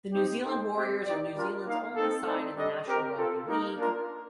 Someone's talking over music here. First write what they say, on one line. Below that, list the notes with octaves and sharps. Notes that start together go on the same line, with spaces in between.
The New Zealand Warriors are New Zealand's only side in the National Rugby League.
C4 D#4 G4
A#3 D#4 A4 C5 G5
A3 C4 G4
D#4 G4 D5
G3 D4 F4 A#4
A#3 D#4 A#4 F5
C4 D#4 A4
A3 C4 D#4 A4 D5
G3 D4 A4 D#5
C4 G4 A#4
C4 F4 A4
A#3 D#4 A#4
A#3 D4 F4 A#4